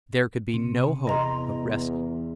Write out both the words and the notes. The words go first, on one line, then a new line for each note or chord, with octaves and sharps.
There could be no hope of rescue.
C3
E2 D#5 A#5 C6